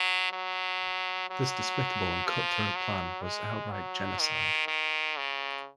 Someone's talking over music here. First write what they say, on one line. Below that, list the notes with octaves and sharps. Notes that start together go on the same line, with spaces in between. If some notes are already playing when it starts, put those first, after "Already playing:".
This despicable and cutthroat plan was outright genocide.
Already playing: F#3
F#3
F#3
F3
F#3
G#3
F#3
D#3
D#3
C#3